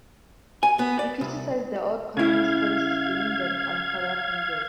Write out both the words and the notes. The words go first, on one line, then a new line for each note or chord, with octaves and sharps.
He criticised the old communist policies, blaming them on corrupt leaders.
G#5
B3
D5
C2
C#3 E4 F5 G#6